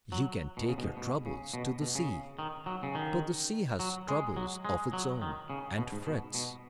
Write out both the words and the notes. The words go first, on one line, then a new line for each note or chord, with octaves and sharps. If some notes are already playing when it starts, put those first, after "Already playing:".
You can take your troubles to the sea; but the sea has troubles of its own, and frets.
F#3
B2
C#3
B2
G#2
B2
C#3
B2
B2
C#3
D#3
F#3
C#3
D#3
F#3
G#3
F#3
G#3
F#3
D#3
C#3
B2
G#2
B2
B2